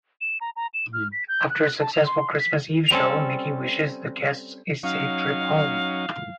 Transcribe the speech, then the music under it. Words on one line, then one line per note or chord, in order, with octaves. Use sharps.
After a successful Christmas Eve show, Mickey wishes the guests a safe trip home.
E7
A#5
A#5
E7
F6
B6
G6
F#6
A5
F7
C6
B6
G3 C4 C#4 A4
F#3 C#4 D#4 F5